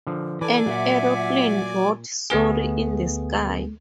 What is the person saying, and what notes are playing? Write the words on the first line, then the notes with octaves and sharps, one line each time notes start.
An aeroplane wrote "Sorry" in the sky.
D3 F3
E3 A4 B4 D5 G#5 A5 D6
A#2 F#3 F4 F#4 E5 F#5
D2 A3 B3 G#4